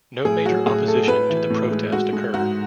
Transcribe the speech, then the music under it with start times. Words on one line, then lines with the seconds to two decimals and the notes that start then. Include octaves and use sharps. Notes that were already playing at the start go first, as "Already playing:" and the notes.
No major opposition to the protest occurred.
0.25 A2 G#4
0.46 F#3 F#4
0.66 A2 G#4
0.87 A3 A4
1.08 A2 B4
1.29 E3
1.50 A2
1.71 G#3
1.92 G#3 F#4
2.12 G#3
2.34 G#2 F#4